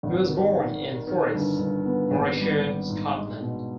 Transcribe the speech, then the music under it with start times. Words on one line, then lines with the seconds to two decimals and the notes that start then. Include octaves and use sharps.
He was born in Forres, Morayshire, Scotland.
0.03 G#1
0.29 D#3
0.55 D#3
0.81 D#3
1.07 D#3
1.34 G1
1.59 G1
1.86 B3
2.11 G#1
2.37 G3
2.63 G#1
2.89 G#2
3.14 G#3
3.41 B2